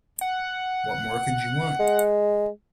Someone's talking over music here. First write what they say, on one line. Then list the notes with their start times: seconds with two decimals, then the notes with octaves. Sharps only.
What more could you want?
0.21 F#5
1.80 G#3